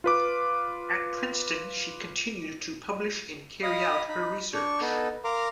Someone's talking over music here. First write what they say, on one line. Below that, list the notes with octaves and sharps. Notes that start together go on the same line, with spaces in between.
At Princeton she continued to publish and carry out her research.
F4 B4 D6
D#5 F5 B5 D#6
D#4 B5
D4 C#6
B3 D#4 A4
A#4 F5 A#5 C6 D6